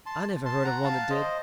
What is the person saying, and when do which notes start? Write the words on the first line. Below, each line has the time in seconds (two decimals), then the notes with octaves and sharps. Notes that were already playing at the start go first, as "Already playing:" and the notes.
"I never heard of one that did."
0.06 A5 C6
0.45 A5 C6
0.64 F#5 A#5
0.84 F5 A5
1.10 C5 D#5